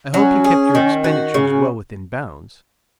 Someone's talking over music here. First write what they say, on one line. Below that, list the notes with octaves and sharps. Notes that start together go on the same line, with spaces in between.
"I hope you kept your expenditures well within bounds?"
F#3 C#4
G#4
D#3
F#4
C#3 C#4
C#4